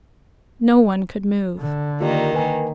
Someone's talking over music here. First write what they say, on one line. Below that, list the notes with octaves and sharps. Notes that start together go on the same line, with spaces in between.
No one could move.
D3
D#3 A#3 F4 G4 D5
B4 G#5